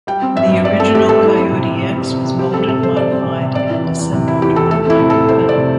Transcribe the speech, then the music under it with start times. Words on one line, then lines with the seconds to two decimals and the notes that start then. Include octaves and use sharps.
The original Coyote X was molded, modified and assembled by Mike Fennel.
0.07 G3 G5
0.22 C4
0.36 G2 E5
0.51 G2
0.65 G3 D5
0.80 C4 A4
0.95 G2 G4
1.09 G2 A4
1.23 G3 E4
1.38 C4
1.52 C3
1.67 C3
1.81 G3
1.96 C4
2.10 C3
2.25 C3
2.39 G3 G4
2.54 C4 A4
2.68 C3 A4
2.83 C3 C5
2.97 G3 D5
3.12 C4
3.26 C3
3.41 C3
3.55 C3 D5
3.70 E3
3.84 E2
3.99 E2
4.13 C3
4.28 E3 E4
4.42 E2 G4
4.56 E2 A4
4.70 A3 A4
4.86 C4 E4
5.00 C3
5.10 A4
5.14 C3
5.29 A3 C5
5.44 C4
5.49 D5
5.58 C3